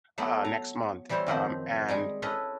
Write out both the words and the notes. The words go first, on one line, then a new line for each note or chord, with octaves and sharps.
uh, next month, um, and
F#3 A3 B3 E4
A#5
E3 G3 E4 C5 C#5
F#2 D#3 F3 C4
G3 G#3 G#4
C#4 E4 A4 B4 D#5